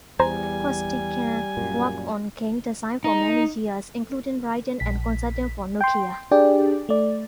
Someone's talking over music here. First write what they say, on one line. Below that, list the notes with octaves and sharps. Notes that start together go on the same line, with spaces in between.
Costikyan worked on game design for many years, including writing and consulting for Nokia.
E2 G3 C5 G#5 A#5
F#2 A#2
D#4
A#1 B6
G5 C6
D4 G4 G#4 D5 G5
A3 D5